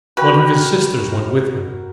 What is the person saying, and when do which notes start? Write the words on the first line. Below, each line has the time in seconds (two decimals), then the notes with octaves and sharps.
One of his sisters went with him.
0.17 F#4 A#4 B4 G5